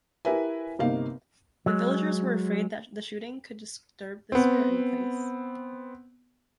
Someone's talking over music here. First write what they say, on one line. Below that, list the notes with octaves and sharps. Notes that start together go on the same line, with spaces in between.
The villagers were afraid that the shooting could disturb the spirit in the place.
E4 G4 A#4 B4 E5 G#5
G1 C3 A#3 D#4 F5
F#3 G#3
B3 C4